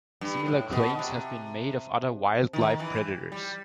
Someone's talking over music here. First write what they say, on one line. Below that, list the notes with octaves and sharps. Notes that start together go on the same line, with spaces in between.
Similar claims have been made of other wildlife predators.
G2
A2
B2
C3
D#3
E3
G3